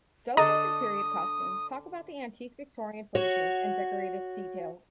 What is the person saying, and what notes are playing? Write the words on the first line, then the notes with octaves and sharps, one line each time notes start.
Docents in period costume talk about the antique Victorian furnishings and decorative details.
D3 A4 D#5 A#5 D#6
F#4 C#5